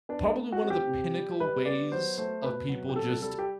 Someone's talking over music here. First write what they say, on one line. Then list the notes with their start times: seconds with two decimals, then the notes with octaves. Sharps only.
probably one of the pinnacle ways of people just
0.09 B3 D4
0.36 A3
0.52 F#4
0.62 C4
0.70 G4
0.88 C3
1.14 G3
1.40 G3 B4
1.65 B3 D5
1.92 F#3 C5
2.18 A3 C5
2.43 B2 B4
2.69 F#3
2.89 G4
2.95 C3 A4
3.22 G3 A4
3.39 G4